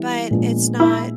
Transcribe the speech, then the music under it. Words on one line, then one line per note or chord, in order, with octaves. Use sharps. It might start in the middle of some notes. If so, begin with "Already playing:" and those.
but it's not
Already playing: E3 G3 B3 E4
A#2 F3 G#3 B3 D4
E4